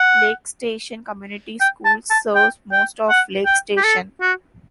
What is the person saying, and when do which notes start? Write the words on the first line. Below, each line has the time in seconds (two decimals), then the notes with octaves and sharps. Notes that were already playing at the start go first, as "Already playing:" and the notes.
Lake Station Community Schools serves most of Lake Station.
Already playing: F#5
1.61 G5
1.85 A5
2.10 A5
2.35 G5
2.72 G5
3.10 F#5
3.46 G5
3.77 G4
3.84 A4
4.21 F#4